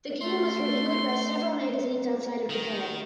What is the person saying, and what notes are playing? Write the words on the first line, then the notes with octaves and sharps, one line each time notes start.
The game was reviewed by several magazines outside of Japan.
A3 C6
D#3